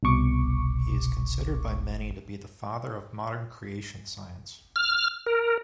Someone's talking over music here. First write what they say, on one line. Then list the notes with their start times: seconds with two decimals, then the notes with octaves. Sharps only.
He is considered by many to be the father of modern creation science.
0.03 C2 B2 C#6 D6
4.76 F6
5.26 A#4